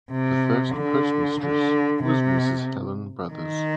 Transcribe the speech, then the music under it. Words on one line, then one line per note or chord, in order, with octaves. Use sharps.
The first Postmistress was Mrs. Helen Brothers.
C3
D3
D3
C3
D#3